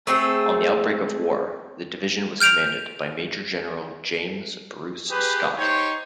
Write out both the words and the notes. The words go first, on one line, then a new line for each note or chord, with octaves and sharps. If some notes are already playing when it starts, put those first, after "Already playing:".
On the outbreak of war, the division was commanded by Major-General James Bruce Scott.
A3 C4 G#4 A4
F6 G6 D7 F7
G4 G#4 B4
D#4 G4 C5 C#5